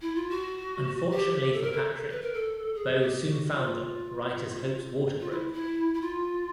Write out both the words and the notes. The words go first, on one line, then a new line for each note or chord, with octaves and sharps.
Unfortunately for Patrick, Bo soon found them right as Hope's water broke!
E4
F4
F#4
G4
A4
A#4
A4
B4
A#4
A4
G#4
G4
G4
F#4
F#4
F4
F4
E4
E4
E4
F4